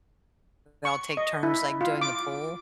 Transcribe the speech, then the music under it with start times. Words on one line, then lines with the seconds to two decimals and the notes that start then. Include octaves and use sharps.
we all take turns, like, doing the pool.
0.85 C#6
1.17 D#5
1.43 E4
1.81 F4
2.01 D6